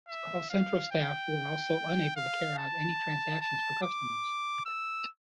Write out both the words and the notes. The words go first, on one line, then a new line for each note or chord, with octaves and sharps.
Call centre staff were also unable to carry out any transactions for customers.
E5
F5
G5
F5
A5
A5
D6
E6